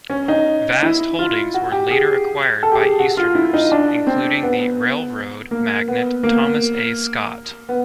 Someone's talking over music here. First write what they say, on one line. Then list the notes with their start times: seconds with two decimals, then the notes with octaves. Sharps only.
Vast holdings were later acquired by Easterners, including the railroad magnate, Thomas A. Scott.
0.10 C#4
0.28 D#4
0.83 E4
1.19 F4
1.54 F#4
1.72 G4
1.91 G#4
2.63 A4
2.72 G4
2.80 G#4
2.99 F#4
3.17 F4
3.35 E4
3.53 D#4
3.72 D4
4.07 C4
4.43 B3
5.51 A#3
5.88 B3
6.23 A#3
7.69 B3